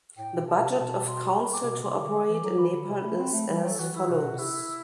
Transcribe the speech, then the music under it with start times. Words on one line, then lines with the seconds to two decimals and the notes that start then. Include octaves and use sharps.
The budget of council to operate in Nepal is as follows.
0.18 A2 G5
0.33 B2
0.47 C3 A5
0.56 B2
0.64 C3
0.79 B2
1.08 C6
1.38 B5
1.53 D6
1.63 C3
1.69 B2
1.83 C3 C6
1.99 D3 D6
2.29 E3
2.44 F#3
2.59 E3 B5
2.73 D3
2.89 C3
3.04 A3
3.19 C4
3.33 A3
3.48 G3 B5
3.59 F#3 G5
3.68 A4
3.79 E3 F#4
3.94 E3 E4
4.09 C3 F#4
4.24 B2
4.34 B2
4.39 C3 E4